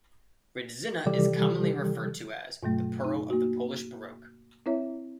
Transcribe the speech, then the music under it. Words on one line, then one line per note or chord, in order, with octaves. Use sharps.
Rydzyna is commonly referred to as "the pearl of the Polish baroque".
C3 D#3 E3 G3 G4 A4
G2 B2 F#3 A3
D#4
A#3 F#4
C4 E4 C#5 E5